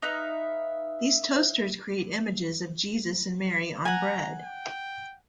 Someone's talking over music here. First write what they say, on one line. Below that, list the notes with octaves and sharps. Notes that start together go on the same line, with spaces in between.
These toasters create images of Jesus and Mary on bread.
D#4 B4 E5 F5
F#5 G#5 A#5
G5